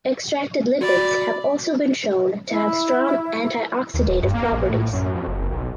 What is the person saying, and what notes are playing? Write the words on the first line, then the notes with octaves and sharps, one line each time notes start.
Extracted lipids have also been shown to have strong antioxidative properties.
F#4 D5 B5
E4
D#2
D1
G2
A#3
A#1
A2
F#2
F2
F#1
B1